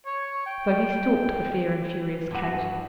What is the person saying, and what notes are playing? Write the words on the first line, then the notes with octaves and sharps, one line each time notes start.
So he stalked the fair and furious Kate.'
C#5
G5
G2 F#4